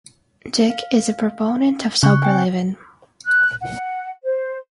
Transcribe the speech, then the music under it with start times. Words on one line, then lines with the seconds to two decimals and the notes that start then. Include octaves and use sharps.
Dick is a proponent of sober living.
0.70 F5
2.03 C#3 C#6 F#6
2.23 C4 G5 G#5
3.25 F#6
3.61 F#5
4.24 C5